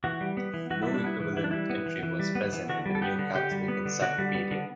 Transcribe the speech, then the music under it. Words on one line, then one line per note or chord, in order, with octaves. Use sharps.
No equivalent entry was present in the "New Catholic Encyclopedia".
E3 F#4
G3
B3
E3
E3 F#4
G3 E4
D4
B3 E4
E3
E3 E4
D4
G3 E4
B3
E3
E3
G3
B3
E3
D3 F#4
G3
A4
B3 G4
D3
D3 G4
G3
B3
D3
D3 F#4
G3
B3
D3